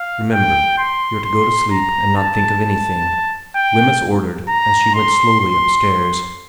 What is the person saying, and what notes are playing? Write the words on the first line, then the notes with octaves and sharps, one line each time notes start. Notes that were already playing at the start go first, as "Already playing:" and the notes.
'Remember you're to go to sleep and not think of anything,' Wemyss ordered as she went slowly upstairs.
Already playing: F5
G5
C6
C6
A#5
A5
G5
A#5
C6
C6